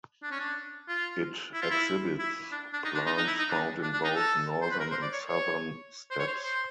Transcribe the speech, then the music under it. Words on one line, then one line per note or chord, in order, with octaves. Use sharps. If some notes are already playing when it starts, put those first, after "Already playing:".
It exhibits plants found in both northern and southern steppes.
D4
C#4
D4
F4
E4
F4
E4
E4
D4
D4
D#4
D4
D#4
D#4
E4
D#4
D4
D4
D4
D#4
A4
C5
B4
A#4
C5
D5
C#5
C#5
C5
C#5
C5
C5